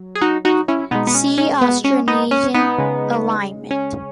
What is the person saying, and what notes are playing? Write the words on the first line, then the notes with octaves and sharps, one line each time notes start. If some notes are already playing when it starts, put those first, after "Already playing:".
See Austronesian alignment.
Already playing: F#3
G#4
D#4 F#4
D#4 F#4
C#4 E4
B2 G#3 B3 D#4
B3
C#4
C#4
B3
C#4
B3 D#4
C#4
B3 D#4
C#3 G#3
C#4